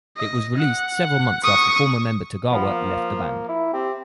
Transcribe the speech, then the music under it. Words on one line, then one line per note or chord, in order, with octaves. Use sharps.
It was released several months after former member Tagawa left the band.
D#5
F#5
C#6 D#6
F3 B3
A#3
E4
C4 G4